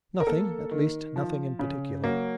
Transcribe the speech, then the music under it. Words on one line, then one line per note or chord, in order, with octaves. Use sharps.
'Nothing, at least nothing in particular.
A#4
A#3 A4
D#3
F3
C#3
F#3 A#3